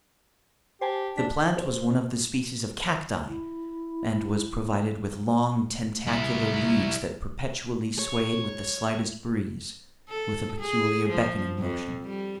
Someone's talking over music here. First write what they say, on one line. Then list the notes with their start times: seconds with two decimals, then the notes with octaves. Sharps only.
The plant was one of the species of cacti, and was provided with long, tentacular leaves that perpetually swayed with the slightest breeze with a peculiar beckoning motion.
0.81 G4 C5 G#5 A5
1.17 D4 B6
1.57 C5
3.28 E4
6.07 G3 E4
7.99 C#5
10.09 A4
10.60 G#4
11.09 F3
11.59 F2
12.05 G3